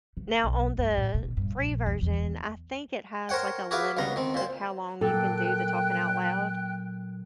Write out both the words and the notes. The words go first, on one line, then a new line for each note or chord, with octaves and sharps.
Now on the free version, I think it has, like, a limit of how long you can do the talking out loud,
C#3
B1
G2
A2
B2
G2
A#1
E2
E2
A#4 C5 C#5 F#5 G5
F#4 G#4 B4 E5 F5 D6
C#2 C#3 B3 A#5
D#3 C4
A#2 C5
A#2 F#3 A#3 A4 G5 F#6